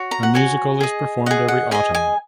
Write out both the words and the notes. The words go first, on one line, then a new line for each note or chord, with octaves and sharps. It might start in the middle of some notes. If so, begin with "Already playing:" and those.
A musical is performed every autumn.
Already playing: F#4 C#5
A#5
F#5
F#4 C#5 G#5
G#4 D#5
G#4 D#5 F#5
F#5
G#4 D#5 G#5
G#5